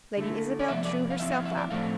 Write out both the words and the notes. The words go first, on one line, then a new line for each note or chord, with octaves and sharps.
Lady Isabel drew herself up.
D3 A3 E4
D5
C3 F3 B3 E5
D5
F5
F3 C4 E4 E5
F5
E5
D5
A2 F3 A3 C4 F5